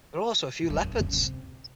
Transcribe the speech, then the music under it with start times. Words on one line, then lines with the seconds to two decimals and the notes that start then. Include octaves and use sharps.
There are also a few leopards.
0.70 F#2
0.84 E2
0.98 F#2
1.13 C3